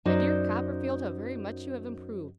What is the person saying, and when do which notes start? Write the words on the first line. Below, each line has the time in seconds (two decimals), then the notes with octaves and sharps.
My dear Copperfield, how very much you have improved!
0.05 F#2 D#4 F#4 C5 D5